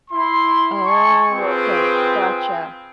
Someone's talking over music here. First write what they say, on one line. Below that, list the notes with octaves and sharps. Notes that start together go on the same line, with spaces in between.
Oh, okay. Gotcha.
E4 C6
G#5 A5 C#6
C4 F4 G#4 B4 G5